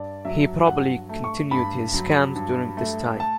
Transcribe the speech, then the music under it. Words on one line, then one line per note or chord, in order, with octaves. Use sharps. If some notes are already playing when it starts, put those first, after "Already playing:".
He probably continued his scams during this time.
Already playing: G2 D5
F#3 E5
G2 F#5
A3
C#6
G2 B5
F#3
G2
A3
A5